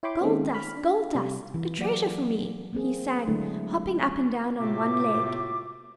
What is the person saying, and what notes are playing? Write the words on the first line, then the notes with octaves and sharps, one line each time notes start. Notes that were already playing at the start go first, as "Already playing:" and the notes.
"Gold dust, gold dust, a treasure for me!" he sang, hopping up and down on one leg.
E4 C#5 G5 B5 C6 D6
D#3 G#3 A#3 C4 C#4
B5 F6
D4
C3 G3
E3
F#3 A#3 F#4 G4 D5 F#5
A#3 C4 G#4
D3 F#3 G#3 A3 D4 E4
A2 C3 F4 F#4 E5 D6